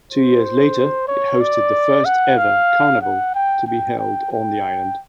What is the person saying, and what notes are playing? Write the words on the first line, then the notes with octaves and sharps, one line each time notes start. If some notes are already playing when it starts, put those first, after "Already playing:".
Two years later, it hosted the first-ever carnival to be held on the island.
C5
C#5
D5
F#5
F5
F#5
G5
G5
G5
G5